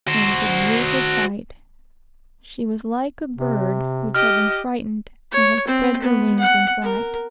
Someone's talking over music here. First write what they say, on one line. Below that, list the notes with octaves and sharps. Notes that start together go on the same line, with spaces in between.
It was a beautiful sight. She was like a bird which had been frightened and had spread her wings in flight.
F#4 C5
C3
G4 D#5 F6
C#5
C4
B3
F#5
A#4